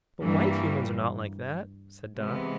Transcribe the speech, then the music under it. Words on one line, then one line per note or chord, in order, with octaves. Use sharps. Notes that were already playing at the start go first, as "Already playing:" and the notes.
"But white Humans are not like that," said Dot.
G2 E3 G3 A#3
C3 E3 G#3 B3